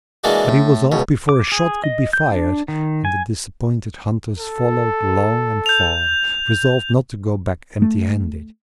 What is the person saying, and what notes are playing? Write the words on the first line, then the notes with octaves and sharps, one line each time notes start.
But he was off before a shot could be fired, and the disappointed hunters followed long and far, resolved not to go back empty-handed.
E3 G#3 A#3 D4 F#4
A2
C#2 B2
D6
G#4
D#5
G6
D4
D#3
G#5
A4
G6 F7
A3